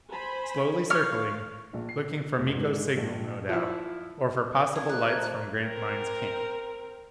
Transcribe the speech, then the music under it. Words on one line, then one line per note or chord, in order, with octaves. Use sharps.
Slowly circling, looking for Miko's signal, no doubt, or for possible lights from Grantline's camp.
C5 G#5 B5
C#5 F5 F6
A#1
C7
F1
G#2
A#1
F3 E4
F3 D4 G#6
A3 D#4 A4 A#4 F#6
C4 A#4